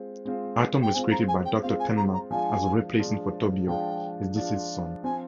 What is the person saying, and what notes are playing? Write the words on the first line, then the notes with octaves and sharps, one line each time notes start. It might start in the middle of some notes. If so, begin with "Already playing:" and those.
Atom was created by Doctor Tenma as a 'replacement' for Tobio, his deceased son.
Already playing: G#3 C4 F4 C5
G#3 C4 F4 C5
G5
G#3 C4 F4 C5 G#5
A#5
G#5
G5
G#3 C4 F4 C5 F5
G#5
A#5
A#5
F3 G#3 D4 F4 G#5
F3 G#3 D4 F4
F3 G#3 D4 F4 G5
F3 G#3 D4 F4
F3 C4 F4 G#5